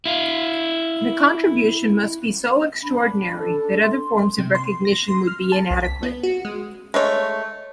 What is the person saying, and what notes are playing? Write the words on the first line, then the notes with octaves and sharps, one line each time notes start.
The contribution must be so extraordinary that other forms of recognition would be inadequate.
E4 F5
D4 B5
A4
C6
C3
C6
A#6
C6
F6
A5
C2
B6
B3
F#4
G#3
G#3 A3 C#5